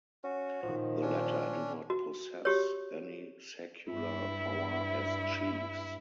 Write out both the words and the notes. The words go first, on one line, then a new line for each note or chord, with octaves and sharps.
The latter do not possess any secular power as chiefs.
C#4 F#4
A#2 D#3 F3
C#4 D4
F#4
F#4 G4 C#5
G2 E4